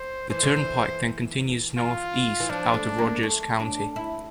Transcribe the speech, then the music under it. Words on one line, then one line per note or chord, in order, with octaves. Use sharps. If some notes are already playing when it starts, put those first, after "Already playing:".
The turnpike then continues northeast out of Rogers County.
Already playing: C5
E3 C5
D3
E3
F4
E3
F3 D4
A3
A#3
A3
D4
E4